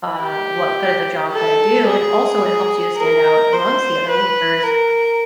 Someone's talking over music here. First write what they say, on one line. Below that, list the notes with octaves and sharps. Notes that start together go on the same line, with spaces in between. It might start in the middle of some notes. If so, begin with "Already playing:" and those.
uh, what good of a job that I do." And, also, it helps you to stand out amongst the other workers.
G4
A4
G#4
A#4
C5
B4
A#4